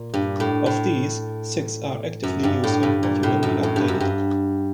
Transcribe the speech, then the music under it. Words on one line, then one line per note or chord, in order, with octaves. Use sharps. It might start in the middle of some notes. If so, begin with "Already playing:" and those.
Of these, six are actively used and regularly updated.
Already playing: A#2
G2
A2
A2
F#2
G2
A2
G2
A#2
A2
F#2
A2
G2
F#2
G2